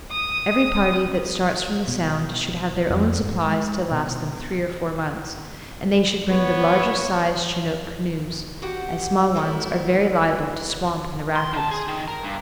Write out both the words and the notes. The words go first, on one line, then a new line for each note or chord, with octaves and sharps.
Every party that starts from the Sound should have their own supplies to last them three or four months, and they should bring the largest size chinook canoes, as small ones are very liable to swamp in the rapids.
D#6
B2
F2
G#2
G#3
B2
B3 C#5
F#4 G4 F#5
E3 F#3 A3 B3 E4
C6
D#3 A5
G#4
D#3
A#4
G2